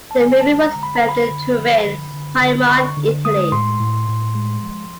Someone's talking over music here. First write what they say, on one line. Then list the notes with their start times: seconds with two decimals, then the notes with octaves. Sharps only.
The movie was filmed in Turin, Piedmont, Italy.
0.11 A5
0.20 D3 G#5
0.41 A5
0.47 G#3
0.61 A#5
0.75 D3
0.83 B5
0.96 A#5
1.03 D3
1.09 B5
1.31 D3
1.59 F3
1.86 D3
2.14 D3
2.41 D3
2.69 D3 C#6
2.97 D3
3.25 G#3 D#6
3.52 A2 C6
3.80 A2
4.08 A2
4.35 G#3
4.63 F3